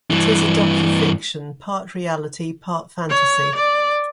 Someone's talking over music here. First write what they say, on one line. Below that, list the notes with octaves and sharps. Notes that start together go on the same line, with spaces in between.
It is a docufiction: part reality, part fantasy.
G2 E3
C#5
D5